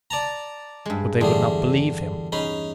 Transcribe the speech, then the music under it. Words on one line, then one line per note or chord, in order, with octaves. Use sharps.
But they would not believe him.
D5 A5 A#5
G2 G#3
E2 D3 G3 G#4
C#4 D#4 G#4 B5